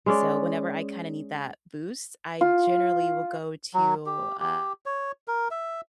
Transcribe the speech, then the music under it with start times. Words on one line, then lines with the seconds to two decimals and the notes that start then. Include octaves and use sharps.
so whenever I kinda need that boost, I generally will go to, uh,
0.06 G#3 C#4 D5
2.41 F4
3.74 F#3
4.06 G4
4.40 G4
4.86 C#5
5.28 A#4
5.51 E5